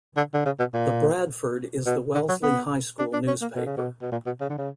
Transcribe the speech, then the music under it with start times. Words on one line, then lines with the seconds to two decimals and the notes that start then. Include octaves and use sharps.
The Bradford is the Wellesley High School newspaper.
0.17 D3
0.34 D3
0.45 C#3
0.59 B2
0.74 A#2
1.86 B2
2.14 D3
2.29 F#3
2.43 B3
2.99 D4
3.13 D4
3.27 C#4
3.41 A#3
3.56 B2
3.66 C#3
3.77 B2
4.02 B2
4.12 A#2
4.26 B2
4.41 C#3
4.50 D3
4.58 C#3